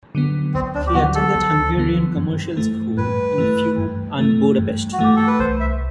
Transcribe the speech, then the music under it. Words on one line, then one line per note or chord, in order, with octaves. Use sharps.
He attended Hungarian Commercial School in Fiume and Budapest.
D3 F#3 B3
D2 C4
D4
G4
D3 F#3 B3 F#4
A4
D2
D3 F#3 B3
G2
E3 A3
G2 B4
E3 A3
G2
E3 A3
G2
F#4
E3 A3 G4
A4
B4
C2 C5
E5